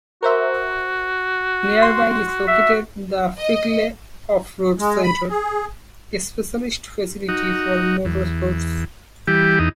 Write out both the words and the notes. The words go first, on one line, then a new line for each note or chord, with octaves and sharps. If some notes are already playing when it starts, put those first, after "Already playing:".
Nearby is located the Frickley Off-road Centre, a specialist facility for motorsports.
F#4 A#4 C5 E5
C6
E5
D#5
G#3
B5
G#4
D#4 F#4
E2
E3 G3 G4
E2 D#4